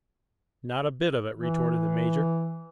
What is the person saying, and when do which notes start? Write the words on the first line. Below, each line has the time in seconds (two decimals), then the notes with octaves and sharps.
"Not a bit of it," retorted the major.
1.35 E3